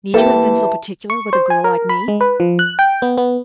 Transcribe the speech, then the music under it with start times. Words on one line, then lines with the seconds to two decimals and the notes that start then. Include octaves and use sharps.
"Need you have been so particular with a girl like me?"
0.14 E3 A#3 G4 A4 E5 A5
1.10 C#6
1.33 C5
1.50 G#5
1.64 A#4
1.89 B5
2.08 G#3
2.21 B4
2.40 F3
2.59 F#6
2.79 G5
3.02 B3
3.18 B3